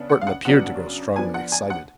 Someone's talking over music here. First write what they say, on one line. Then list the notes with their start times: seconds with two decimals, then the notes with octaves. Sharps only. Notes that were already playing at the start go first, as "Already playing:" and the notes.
Burton appeared to grow strongly excited.
Already playing: C#3 B3 D4
0.10 F#5
0.21 F5
0.27 F#5
0.45 C#3 F#3 B3 D4 F#5
1.16 F3 B3 D4 G#5
1.34 F#5
1.52 G#5
1.70 F#5